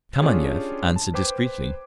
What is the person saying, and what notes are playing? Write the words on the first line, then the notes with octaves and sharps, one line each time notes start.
Kameniev answered discreetly.
C#4 D4 F4 G4 G#4 C#5
A5
B4 C5 G5 D6 G#6